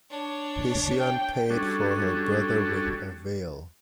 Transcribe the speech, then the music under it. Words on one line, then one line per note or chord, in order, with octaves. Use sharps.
Hesione paid for her brother with a veil.
D4 C#5
G5
G3 C#4 D4 F#4 A4